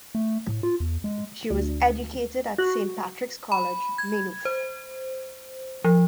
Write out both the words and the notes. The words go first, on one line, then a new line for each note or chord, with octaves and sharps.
She was educated at Saint Patrick's College, Maynooth.
A3
A2
F4
E2
G#3
D2
F#4
B5
G#6
C5
F3